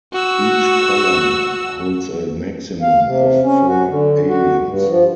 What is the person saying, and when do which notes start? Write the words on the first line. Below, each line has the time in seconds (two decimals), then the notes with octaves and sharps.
Each column holds a maximum of four aliens.
0.13 F#4 E6
2.82 F5
3.04 C3
3.44 C#4
3.68 F#4
3.89 D3
4.29 F#4
4.66 G2
4.88 F3